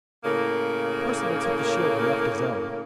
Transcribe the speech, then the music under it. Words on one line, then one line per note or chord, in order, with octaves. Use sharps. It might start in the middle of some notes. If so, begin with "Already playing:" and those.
Perceval took the shield and left his own.
A2 C#3 A#3